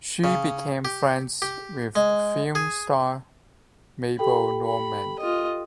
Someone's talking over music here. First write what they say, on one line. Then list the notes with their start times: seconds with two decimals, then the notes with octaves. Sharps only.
She became friends with film star Mabel Normand.
0.24 C#3
0.85 G4
1.42 G4
1.95 G#3
2.55 G#4
4.19 G4 A4 G5 B5
4.66 B5
5.19 F4 D#5